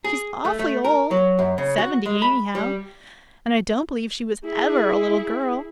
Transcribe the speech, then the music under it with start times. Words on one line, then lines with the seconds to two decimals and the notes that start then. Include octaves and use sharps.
She's awfully old--seventy anyhow--and I don't believe she was EVER a little girl.
0.04 G#4
0.45 A3
0.59 A3
0.84 A#4
1.11 F#3
1.39 F#2
1.58 C#3
1.78 F#4
2.06 G#3
2.22 B5
2.55 G3
4.45 E4 G#4